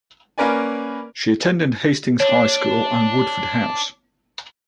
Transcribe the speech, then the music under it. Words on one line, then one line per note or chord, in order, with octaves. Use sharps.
She attended Hastings High School and Woodford House.
A#3 C#4 A#4 B4 D5 G#5
D4 C#5